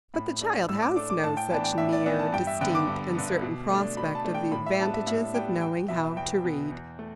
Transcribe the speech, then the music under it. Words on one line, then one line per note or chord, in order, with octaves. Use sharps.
But the child has no such near, distinct, and certain prospect of the advantages of knowing how to read.
A2 B5
A3 D4
A2 E6
D6
A3 D4 D6
D6
A2 A5
G5
E3 B3 D4 A5
G5
A2 E5
D5
E3 B3 D4 E5
A5
G2 G5
E5
D3 B3 G5
D6
G2
D3 B3
B2
A3 D4
B2 B5
A5
A3 D4
G5
A2 B5
E5
G3 B3 D4 A5
E5
A2 E5
G3 B3 D4 G5
E2 G5
B2 B3 E5
E2 G5
B2 B3
E2
A3